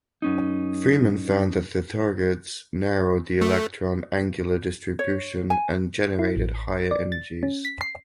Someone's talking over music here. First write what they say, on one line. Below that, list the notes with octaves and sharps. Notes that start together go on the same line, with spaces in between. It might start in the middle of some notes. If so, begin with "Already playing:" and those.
Freeman found that the targets narrowed the electron angular distribution and generated higher energies.
F#2 C#4 D#4
A3
C#5
G#5
E4
A1
D5
A6
C#4
B6
C7